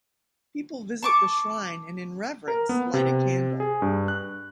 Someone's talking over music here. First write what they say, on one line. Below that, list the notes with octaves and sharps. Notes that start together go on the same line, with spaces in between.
People visit the shrine and in reverence light a candle.
A5 C#6 D6
A#4
B3
C3
G#4
G2
F#6